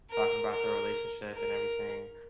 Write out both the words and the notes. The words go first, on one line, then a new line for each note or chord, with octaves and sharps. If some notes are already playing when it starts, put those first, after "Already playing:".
talking about their relationship and everything,
A#4
A#4
A#4